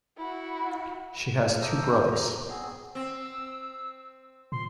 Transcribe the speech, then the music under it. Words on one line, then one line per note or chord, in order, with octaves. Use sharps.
She has two brothers.
E4 F#4
A#3 A4 C5 D#5
F#3 A#5
B3 C4 G#4
C4 E6
A#2 C6